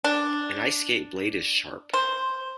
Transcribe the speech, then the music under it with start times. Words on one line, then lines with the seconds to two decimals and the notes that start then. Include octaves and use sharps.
An ice skate blade is sharp.
0.04 D4
1.93 C5